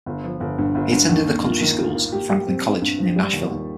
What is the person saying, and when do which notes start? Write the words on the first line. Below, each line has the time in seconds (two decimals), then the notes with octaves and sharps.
He attended the country schools and Franklin College, near Nashville.
0.06 G1
0.24 F3
0.40 G1
0.58 G2
0.75 G1
0.92 G2
1.09 D#2
1.27 A#3
1.44 F4
1.61 D#3
1.78 F4
1.95 A#3
2.12 G4
2.30 G4
2.47 C4
2.65 C4
2.81 G2
2.99 F3
3.16 G3
3.33 D#2
3.51 D#2